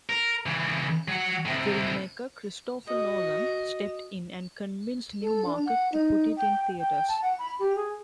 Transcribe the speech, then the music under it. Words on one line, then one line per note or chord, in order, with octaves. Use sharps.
Filmmaker Christopher Nolan stepped in and convinced Newmarket to put it in theaters.
A#4
C#3 E3
F#3 F#5
A2 C3
F#4 D#5
A4
D4
F#5
D#4
G5
G5
A5
F#5
B5
G4
G#4